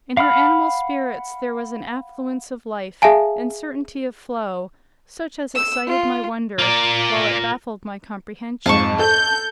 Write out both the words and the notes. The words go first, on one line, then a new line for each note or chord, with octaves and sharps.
In her animal spirits there was an affluence of life and certainty of flow, such as excited my wonder, while it baffled my comprehension.
F5 F#5 B5 F6
G#4 E5 F5 G#5 A5
E6
F4
A#3 F4 A#4 D5
F2 G#2 F5 A5 C#6
A4 G6